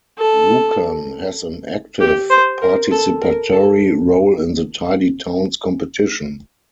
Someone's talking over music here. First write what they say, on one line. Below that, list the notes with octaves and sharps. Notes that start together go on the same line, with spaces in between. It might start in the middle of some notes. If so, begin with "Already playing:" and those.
Lucan has an active participatory role in the Tidy Towns competition.
A4
G4
C5
A#4
A4
A#4
A4